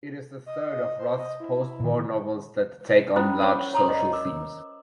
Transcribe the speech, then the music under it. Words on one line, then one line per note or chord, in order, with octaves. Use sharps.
It is the third of Roth's postwar novels that take on large social themes.
D#5
C5
D#5
E4
A#2 D#3
C#4 E4 F4 C5 B5 D#6
A#4 C5 C#5 F#5 B5 C#6
C#5 A#5 C6 D#6
D5 D#5
A#4 D6